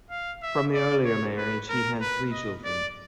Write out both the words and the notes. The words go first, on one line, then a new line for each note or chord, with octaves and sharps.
From the earlier marriage he had three children.
F5
E5
D5
C#5
B4
A#4
B4
D#5
D5